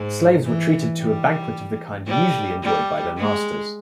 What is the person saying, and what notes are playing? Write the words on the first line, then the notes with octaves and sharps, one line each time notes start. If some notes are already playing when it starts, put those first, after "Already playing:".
Slaves were treated to a banquet of the kind usually enjoyed by their masters.
Already playing: G#2
E3
G3
G3
G3
G#3